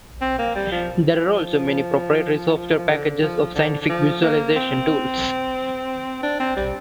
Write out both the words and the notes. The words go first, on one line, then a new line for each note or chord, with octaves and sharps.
There are also many proprietary software packages of scientific visualization tools.
C4
A#3
G3
F3
F3
F3
D3
F3
D3
D3
F3
A#3
C4
D4
C4
G3